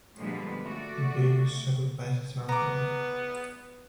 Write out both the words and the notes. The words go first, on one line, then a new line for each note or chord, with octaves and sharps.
The various sacrifices are holy.
A#2 D3 F3 G3 G#3 B3
A3 F#4 D5
B3 A#5 D6